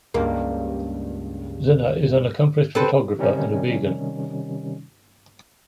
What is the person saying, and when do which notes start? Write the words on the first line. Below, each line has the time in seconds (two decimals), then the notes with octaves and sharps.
Zinner is an accomplished photographer and a vegan.
0.14 C#2 G2 A#3
2.75 C4 A4 B4
3.19 C3 D#3 G3 C#4 D#4